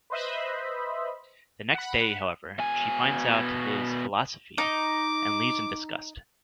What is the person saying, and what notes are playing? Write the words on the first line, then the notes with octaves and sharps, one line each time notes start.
The next day, however, she finds out about his "philosophy", and leaves in disgust.
B4 C5 D#5 E5 B5
F#5 B5
B2 G#5
D#4 D6